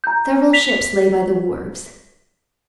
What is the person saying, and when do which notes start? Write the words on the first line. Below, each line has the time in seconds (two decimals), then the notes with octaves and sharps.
Several ships lay by the wharves.
0.04 A#5 G6
0.53 B6 F7